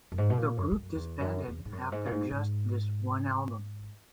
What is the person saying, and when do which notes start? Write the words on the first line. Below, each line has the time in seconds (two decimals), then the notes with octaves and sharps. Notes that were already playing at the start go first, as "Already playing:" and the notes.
The group disbanded after just this one album.
0.12 F#2
0.18 G#2
0.30 B2
0.38 A#2
0.57 F#2
0.72 E2
0.76 F#2
0.95 E2
1.21 F#2
1.48 E2
1.65 G#2
1.73 F#2
1.92 G#2
2.06 A#2
2.11 G#2
2.31 G#2